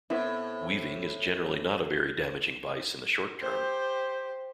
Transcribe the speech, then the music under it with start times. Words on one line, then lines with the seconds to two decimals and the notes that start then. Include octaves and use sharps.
Weaving is generally not a very damaging vice in the short term.
0.10 A2 B3 C4 E4
3.41 G4 C5